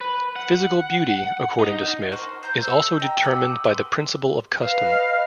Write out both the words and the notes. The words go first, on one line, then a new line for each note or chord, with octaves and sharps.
Physical beauty, according to Smith, is also determined by the principle of custom.
B4
F#5
D#4
F#4 A#4 C5 F#5
C5 A#5 G6
A4 C5 E5
D#5 G5 A#5
G4 F#5 D#6 E6
B4 C6
B4 D#5 F5